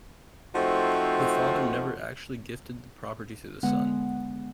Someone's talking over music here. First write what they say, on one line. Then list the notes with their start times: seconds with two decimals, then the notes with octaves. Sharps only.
The father never actually gifted the property to the son.
0.55 F3 A3 C4 D#4 F#4
3.63 D3 G#3 B3 F#5